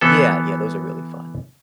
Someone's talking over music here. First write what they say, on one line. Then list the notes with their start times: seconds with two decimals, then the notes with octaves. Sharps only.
Yeah, yeah, those are really fun.
0.01 E3 B3 A4